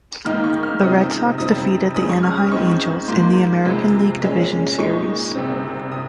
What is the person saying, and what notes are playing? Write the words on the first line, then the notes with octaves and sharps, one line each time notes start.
The Red Sox defeated the Anaheim Angels in the American League Division Series.
G#2 D#3 A#3 D#4 F6
C#6
F6
C3 F3 G#3 C4 D#4 D#6
F2 C3 G3 C4 D#4 D#6
G2 F3 G#3 C#4 D#6
C#6
F6
D#6
G#2 F3 C4 D#4 C#6
G#2 F3 A#3 C6
F2 C3 F3 G#3
A#2 G#3 C#4
A#2 G#3 D#4 C#6
C2 C3 G3 C4
C3 D#6